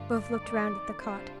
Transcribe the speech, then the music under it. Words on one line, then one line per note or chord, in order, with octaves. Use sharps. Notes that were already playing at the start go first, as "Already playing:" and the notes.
Both looked round at the cot.
Already playing: G2 D3 A3 D4 F4
D5
F2 D#3 A3 D#4
C3 G3 D4 F4 C5